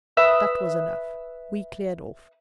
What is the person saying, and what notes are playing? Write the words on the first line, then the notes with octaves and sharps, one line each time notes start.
That was enough: we cleared off.
B4 E5 D#6